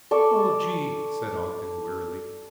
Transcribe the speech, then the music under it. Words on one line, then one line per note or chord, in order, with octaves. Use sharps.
"Oh, Gee," said Ogden wearily.
A4 D5 C#6